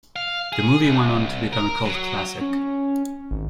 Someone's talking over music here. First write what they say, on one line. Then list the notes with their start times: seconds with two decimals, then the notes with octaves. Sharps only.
The movie went on to become a cult classic.
0.16 F5
0.52 G#4
0.84 C2
1.53 A#4
1.85 F#3
2.41 C#4
3.31 G#1